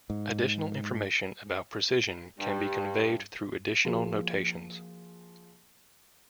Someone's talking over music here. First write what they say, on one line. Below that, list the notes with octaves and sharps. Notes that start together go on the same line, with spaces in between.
Additional information about precision can be conveyed through additional notations.
G#2
G2
F3 A#3 F#4 G#4